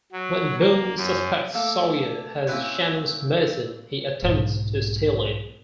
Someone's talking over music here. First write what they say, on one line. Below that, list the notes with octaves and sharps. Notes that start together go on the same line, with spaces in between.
When Boone suspects Sawyer has Shannon's medicine, he attempts to steal it.
F#3
A#3
F#2
A3 A#3 A4 F5 A5 D6
A#3 C4 C#4 E4 B4 C#5
B1 G#2